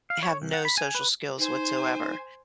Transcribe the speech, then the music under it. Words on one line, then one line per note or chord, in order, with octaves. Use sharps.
have no social skills whatsoever,
F5
C#5
C2
F#5
B5
G#5
B4
D#4 C5 G#5